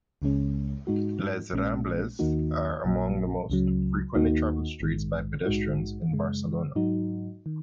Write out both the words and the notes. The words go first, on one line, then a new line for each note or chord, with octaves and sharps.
"Les Rambles" are among the most frequently travelled streets by pedestrians in Barcelona.
C#2 C#3 G#3 C#4
G#2 G#3 D#4 F#4
A#1 A#2 G#3 C#4
D#2 D#3 A#3 D#4 F#4
A#1 A#2 F#3
C#2 C#3 F#3
D#2 D#3 A#3 D#4 F#4
A#1 G#2 D#3 G#3
A#1 G#2 G#3 D#4 F#4
F#2 C#3 G#3
G#2 F#3 D#4 F#4
D#3